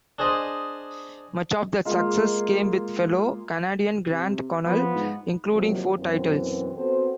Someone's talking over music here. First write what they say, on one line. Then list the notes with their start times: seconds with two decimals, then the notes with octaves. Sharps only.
Much of that success came with fellow Canadian Grant Connell, including four titles.
0.19 D4 G#4 C5 D#5
1.85 G#3 A#3 F4
4.10 C3
4.66 F3 B3
4.94 G#2
5.52 D#2 C3 F3 F#3
5.97 F#2 B2 E3 C4
6.76 B3 C4 F#4 A4 C5